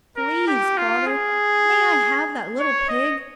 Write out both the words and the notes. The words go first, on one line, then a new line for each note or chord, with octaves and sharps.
"Please, Father, may I have that little pig?"
A#4
G4
F4
G#4
C#5
D#5